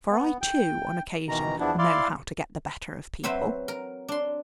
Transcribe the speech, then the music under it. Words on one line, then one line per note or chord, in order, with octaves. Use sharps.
For I, too, on occasion know how to get the better of people.
B3
G5
B2 D#3 E3 A#5
E2 F3 B3 D4 E4
E4 D5 F5 C6
F#3 C4 B4 C5 E5 B5
A#4
D4 C6